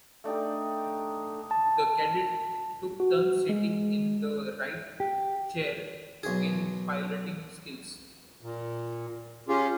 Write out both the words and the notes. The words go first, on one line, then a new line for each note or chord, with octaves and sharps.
The cadets took turns sitting in the right chair to gain piloting skills.
A3 D4 D#4 G4
A5
F#4
G#3
G4
B1 G#4
A#2
C#4 F4 G4 G#4